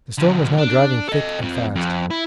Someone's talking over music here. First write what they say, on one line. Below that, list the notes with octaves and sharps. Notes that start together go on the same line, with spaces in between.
The storm was now driving thick and fast.
D3 F3
D4
A4 D#5
F2 C4
F2
E4